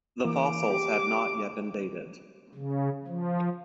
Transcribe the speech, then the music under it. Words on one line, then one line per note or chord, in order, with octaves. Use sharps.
The fossils have not yet been dated.
E3 A#3 D6
G4
C#3
F3